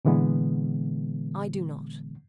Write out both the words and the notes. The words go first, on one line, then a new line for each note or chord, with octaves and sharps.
I do not.
A#2 D3 E3 G#3 B3